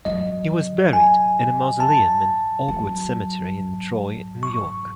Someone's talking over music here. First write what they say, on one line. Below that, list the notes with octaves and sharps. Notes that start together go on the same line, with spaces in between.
He was buried in a mausoleum in Oakwood Cemetery in Troy, New York.
F#3 D#5
G#5
A5
F#3
C#6